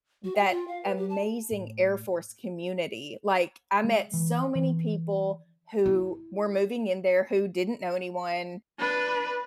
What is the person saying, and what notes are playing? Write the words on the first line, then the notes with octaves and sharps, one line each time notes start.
that amazing Air Force community, like, I met so many people who were moving in there who didn't know anyone,
F#4
G5
F4
F5
B4
G4
A5
A2
G#3
E3
E3
E4
D4 B4